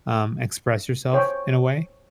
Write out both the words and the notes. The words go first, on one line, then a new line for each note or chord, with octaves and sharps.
um, express yourself in a way.
C5 C#5 G5 C#6